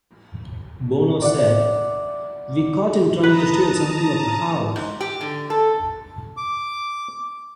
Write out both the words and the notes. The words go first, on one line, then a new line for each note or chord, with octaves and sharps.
Bono said: We caught him trying to steal something of the house.
D5 E5 F#5
B4 A5 A#5 D#6
G#2
G4
D3
A4
D6